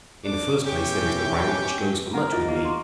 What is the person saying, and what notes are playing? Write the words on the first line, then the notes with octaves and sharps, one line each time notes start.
In the first place there is the rank which goes for much with me.
D4 D6
B2 E3 C#4 G4 G5 C#6 D6
D#4 A#4 F#5 A5
E4 F4 D#5
A#3
C6 C#6